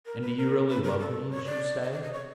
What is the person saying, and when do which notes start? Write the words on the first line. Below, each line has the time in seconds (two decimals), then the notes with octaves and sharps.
"And do you really love me as you say?"
0.06 A#4
0.22 B4
0.37 A#4
0.68 B4
0.84 A#4
1.00 A4
1.31 C#5
1.45 D5
1.82 D#5
1.92 D5
2.03 D#5
2.13 C#5